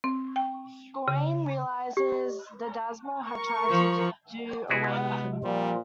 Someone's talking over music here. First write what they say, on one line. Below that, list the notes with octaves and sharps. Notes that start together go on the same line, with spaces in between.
Gawain realises the damsel had tried to do away with him.
C4
G5
C#3
G4
A#4 C#6
F3
C3 G#3 B3 E4 F#4 G#4
A#2 F3 G3 F4